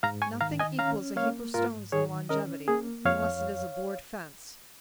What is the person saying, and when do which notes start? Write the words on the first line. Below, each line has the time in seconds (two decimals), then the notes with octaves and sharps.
Nothing equals a heap of stones in longevity, unless it is a board fence.
0.03 G#2 F5 A#5
0.22 G#5 C#6
0.41 D#3 F5 A#5
0.59 D#5 G#5
0.79 C#4 F5 A#5
1.16 A#3 C#5 F5
1.54 G#2 F4 A#4
1.92 D#3 G#4 C#5
2.29 C#4 A#4 D#5
2.68 A#3 G#4
3.05 F2 C#5 F5